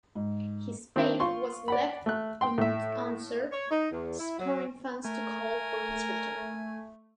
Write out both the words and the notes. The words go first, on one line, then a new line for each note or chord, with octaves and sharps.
His fate was left unanswered, spurring fans to call for his return.
G#2
D#3 C4 D4
F4 C6 C#6
D5 F#5 B5
A3 F#6
G5 C6
A2 E5
C#5
D#4
E2
E4
F#3
A3 A#4 G#5